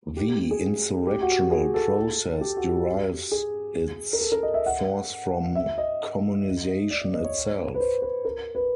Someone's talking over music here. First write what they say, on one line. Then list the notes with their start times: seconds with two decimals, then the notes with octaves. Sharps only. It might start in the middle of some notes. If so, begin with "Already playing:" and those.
The insurrectional process derives its force from communisation itself.
0.17 G4
0.28 G4
0.39 G4
0.51 G#4
1.07 G4
1.22 F#4
1.51 G#4
1.74 A4
2.41 G4
2.57 F#4
2.71 G4
3.32 G#4
4.13 A#4
4.21 A4
4.32 A#4
4.43 D#5
4.54 E5
4.66 F#5
5.55 E5
5.78 D#5
6.91 D5
7.02 D5
7.13 D#5
7.24 C#5
7.75 B4
7.80 C5
8.02 B4
8.25 A#4
8.55 B4